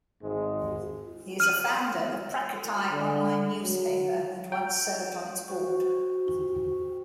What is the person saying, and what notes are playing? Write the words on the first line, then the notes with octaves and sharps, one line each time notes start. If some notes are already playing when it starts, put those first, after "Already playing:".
He is a founder of "Prachatai" online newspaper and once served on its board.
G#1 G#2 G#3
F6 D#7 F#7
D3
F#3
G5
F#4 C5 C#6